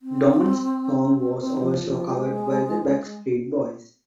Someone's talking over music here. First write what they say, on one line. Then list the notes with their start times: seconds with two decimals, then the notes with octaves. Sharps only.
Dawn's song was also covered by the Backstreet Boys.
0.02 C4
1.40 C4
1.63 F3
1.87 F3
2.09 G#3